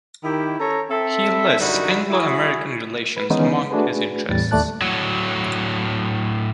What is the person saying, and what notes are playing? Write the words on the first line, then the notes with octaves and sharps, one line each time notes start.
He lists Anglo-American relations among his interests.
D#3 E4 G4
C#4 A4 C#5 A#5
C4 A4 E5
F#2 D3 G3 D#4 E4 F#4
E4 F#4 G#4
B4
D#3 E3 G#3 B3 C#4 D#4
A3 D4 F#4 G#4 B4
E2 A2 G3 A6
D#2 A3 D5 A5 F#6
A2 F#3